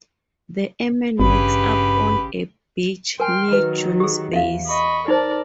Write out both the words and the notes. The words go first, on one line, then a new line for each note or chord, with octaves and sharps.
The airman wakes up on a beach near June's base.
G#1 G2 C#3 G4 B4
A#4 G5 G#5 C6 F6
D#3 F#3 B4
G4 G#4
E2 E5 F5
D#5 B5 C#6
D#4 A#4 C5 D5 A5